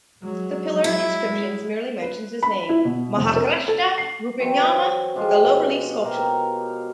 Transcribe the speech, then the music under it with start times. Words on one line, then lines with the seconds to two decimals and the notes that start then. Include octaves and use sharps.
The pillar inscriptions merely mentions his name Mahakshtrapa Rupiamma with a low relief sculpture.
0.23 F#3 G#3
0.84 E4
1.27 G#3
2.02 B4
2.43 B5
2.69 E4
2.85 B2
3.17 F1
3.36 A#4
3.68 A4
3.98 C7
4.39 E3 F#3 C4 C#5
5.15 F3 G#3 F4 G4
5.43 B2
6.02 B2 F4 G4 A#4